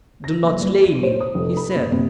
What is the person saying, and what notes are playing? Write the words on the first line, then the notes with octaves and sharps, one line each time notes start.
"Do not slay me," he said.
A#6
F#1
G3
D#7
C5
D#6
F1
B5
C#3
C3